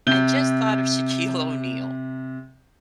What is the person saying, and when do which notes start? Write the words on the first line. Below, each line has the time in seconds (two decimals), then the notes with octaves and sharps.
I just thought of Shaquille O'Neal.
0.07 C3 G6 G7